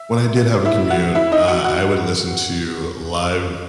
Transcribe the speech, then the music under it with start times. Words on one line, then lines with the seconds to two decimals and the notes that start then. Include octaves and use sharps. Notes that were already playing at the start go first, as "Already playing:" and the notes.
when I did have a commute, uh, I would listen to live
Already playing: E5
0.65 E4 E5
0.90 F#4 F#5
1.15 E4 E5
1.32 D#4 D#5
1.48 F#4 F#5
1.64 F#4 F#5